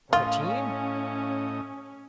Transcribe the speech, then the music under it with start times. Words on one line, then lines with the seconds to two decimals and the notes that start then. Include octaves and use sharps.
'Or a team?'
0.13 A2 C#4 F4 D#5 F5